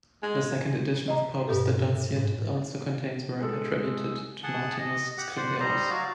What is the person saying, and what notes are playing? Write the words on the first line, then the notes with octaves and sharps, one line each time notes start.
The second edition of Pope's "The Dunciad" also contains work attributed to Martinus Scriblerus.
G#3
D#5 A#5
G2 B2 G4 A4
G#2
G#3 A4
G#4 F#5 A5
D#5
G4 F#5
C5 D5 F#5
G3 C5 D#5 A#5
F#3 F#4 D5 F5